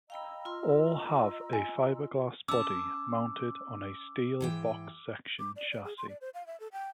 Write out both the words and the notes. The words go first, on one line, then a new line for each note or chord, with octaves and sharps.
All have a fibreglass body mounted on a steel box-section chassis.
D#5 F5 G5 A#5 B5 E6
F4 C6
G#5
C#4 A5 D6 E6
G#2 E3 G5
D6
D5
D5
G#4
C6
D5
C5
F5
E5
A4
G5